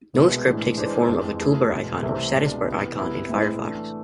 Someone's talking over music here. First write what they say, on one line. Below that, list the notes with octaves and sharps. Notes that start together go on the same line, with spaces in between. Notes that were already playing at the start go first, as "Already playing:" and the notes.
NoScript takes the form of a toolbar icon or status bar icon in Firefox.
C2 B2 G#3 B3
A2 E3 G#3 D4
E3 G#3 D4 G#4 C5
F2 E3 G#3
E3 A3 E4 G#4 B4
E2 B2 G#3
C2 C3 E3 A3 C4
C2 B2 G#3 D4
C3 E3 B3
C2 C3 E3 B3 E4
A2 G#3 C4 E4 B4
E3 A3 D4